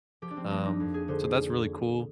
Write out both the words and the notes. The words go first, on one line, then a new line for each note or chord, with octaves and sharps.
um, so that's really cool
F3 G4
D4
C4
A#3 D4
D#4
F2
G#4
D3 C5